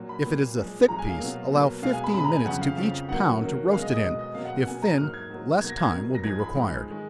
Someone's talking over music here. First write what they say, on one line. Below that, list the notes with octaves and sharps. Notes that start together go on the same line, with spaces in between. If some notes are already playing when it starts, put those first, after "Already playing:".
If it is a thick piece, allow fifteen minutes to each pound to roast it in--if thin, less time will be required.
Already playing: A#2 F#3 A#3
B5
A#2 F#3 A#3
A#2 F3 G#3
A#2 F3 G#3 A#5
G#5
F5
B2 F#3 A#3
B2 F#3 A#3
B2 G#3 F5
G#5
B5
B2 G#3 B5
A#5
G#5
F2 C#3 F3 F#5
F5
F2 C#3 F3 F5
F#2 D#3 F#3 A#3 F#5
F#2 D#3 F#3 A#3
B2 G#3 F5
D#5
D#5
B2 G#3
D#5
B2 F#3 A#3 F5
F#5
F#5
B2 F#3 A#3 G#5
A#5
G#2 F#3 A#3 F6
G#6
G#2 F#3 A#3
B2 F#3 A#3 G#6
A#6
G#6
B2 F#3 A#3
A#6
G#2 F3 G#3 G#6
B5
G#2 F3 G#3
D#3 G#3